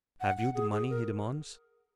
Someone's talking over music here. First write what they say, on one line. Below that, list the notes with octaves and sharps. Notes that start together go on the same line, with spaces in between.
"Have you the money he demands?"
F#5
F#5
G#4
G#4
A#4